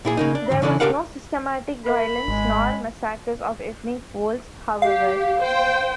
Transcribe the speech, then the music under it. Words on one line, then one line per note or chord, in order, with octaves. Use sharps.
There was no systematic violence nor massacres of ethnic Poles, however.
A#2 E4 G#4
C#3 A#3 D#4
D4
E2 G#2 D3
C#3 E3 C#4 D4 E4 A4
C#2 D4 G4 A#4 F5 F#5
A#4 E5 B5
G#1 G#3
G4 F5
C5 G5